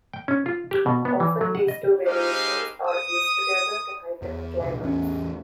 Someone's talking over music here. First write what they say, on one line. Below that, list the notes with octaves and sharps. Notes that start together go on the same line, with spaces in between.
Often these two variations are used together to heighten a climax.
G5
C#4
F4
G4
B2
B3
E3
F#3
F#5
D#5
G#3 C4 D#4 G4 D#5 F5
D#6
E2
C2 A#2
A1 E2 C#4